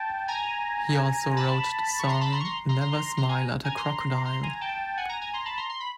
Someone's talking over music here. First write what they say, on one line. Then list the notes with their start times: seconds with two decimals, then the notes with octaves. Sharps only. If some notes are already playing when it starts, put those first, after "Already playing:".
He also wrote the song "Never Smile at a Crocodile".
Already playing: G5 A5
0.28 G#5 A#5
1.37 A5 B5
1.99 C#6
2.09 A#5 C6
2.21 A5 B5
2.32 A#5 C6
2.40 C#6
2.45 A#5 C6
2.69 A#5 C6
2.81 A#5 C6
3.17 A#5 C6
3.29 G#5 A#5
3.65 G#5 A#5
3.77 A#5 C6
4.25 A#5 C6
4.43 G#5 A#5
4.61 G5 A5
4.97 F#5 G#5
5.09 G#5 A#5
5.21 G#5 A#5
5.33 A#5 C6
5.45 A5 B5
5.57 A#5 C6
5.70 C6
5.80 B5